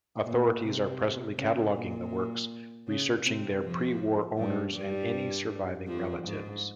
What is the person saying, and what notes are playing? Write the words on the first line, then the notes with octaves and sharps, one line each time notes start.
Authorities are presently cataloging the works, researching their pre-war owners, and any surviving relatives.
A#2
C3
C#3
A#2
C#3
C3 C4
F2 F3
G2 G3
G2 G3
F2 F3
G#2